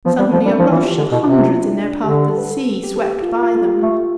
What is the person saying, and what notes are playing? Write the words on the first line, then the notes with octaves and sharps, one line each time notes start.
Suddenly, a rush of hundreds, in their path to the sea, swept by them.
F3 B3
C4
G3 B3
F3
G3 D4
F3 D4
E4
E3
F4
G4
D3
B2 E4
C3 F4
E4
D4
D4
D3 G4
A4
B4
A4
G4
A4
G4
F4
F4
A4
G4
A3